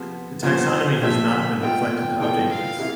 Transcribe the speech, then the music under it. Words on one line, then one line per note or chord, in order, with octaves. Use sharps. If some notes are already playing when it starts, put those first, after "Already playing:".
The taxonomy has not been reflected to update this.
Already playing: C3 F3 B3
G2 F3 B3 F4 C5
F3 A3 C4 G4 E5
B2 B3 F4 G5
E3 B3 F4 A4 G5
F5
C3 E3 B3 E4